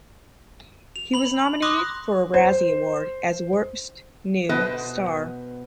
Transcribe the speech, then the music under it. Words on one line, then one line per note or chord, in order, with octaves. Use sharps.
He was nominated for a Razzie Award as Worst New Star.
F7
B5 F#7
C6 D6 D#6 F#6 A#6
C5
B2 B3 B4 C5 D#5